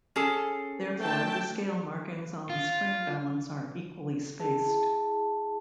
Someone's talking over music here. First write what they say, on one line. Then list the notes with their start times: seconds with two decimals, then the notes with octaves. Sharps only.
Therefore, the scale markings on the spring balance are equally spaced.
0.16 C#4 G#4 A4
0.99 A3 G5 A5
2.50 F4
4.39 E4 G#4 A5